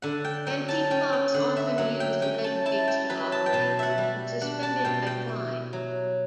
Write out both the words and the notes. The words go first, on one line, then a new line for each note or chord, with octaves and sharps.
Antique clocks often used lead weights to operate, which were suspended by twine.
D3 F#5
G5
F#3 G5
A5
C#4 G5
G5
D3 F#5
E5
F#3 F#5
G5
C#4 G5
A5
E4 A5
G5
F#3 B4
A5
G5
B2 A5
E5 F#5
G3
D4 F#5
A5
B2 G5
G5
E4
F#3